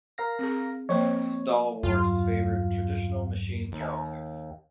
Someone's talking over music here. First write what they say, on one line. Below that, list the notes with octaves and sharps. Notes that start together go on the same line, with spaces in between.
Stalwarts favored traditional machine politics.
A#4 F5 A#6
C4 G#4
F3 A#3 C4 C#5
E2 G2 F#3 F4
D#2